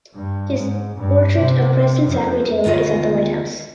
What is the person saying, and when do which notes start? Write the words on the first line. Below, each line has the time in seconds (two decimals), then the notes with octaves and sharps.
His portrait of President Zachary Taylor is at the White House.
0.16 G2
0.55 G#2
0.96 G2
1.40 C3
2.07 F2
2.64 D2 B2 D#3 F4 D#5